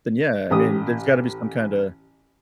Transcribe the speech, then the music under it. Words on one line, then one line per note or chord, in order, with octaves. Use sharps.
Then, yeah, I mean, there's gotta be some kinda
A1 G4 D#6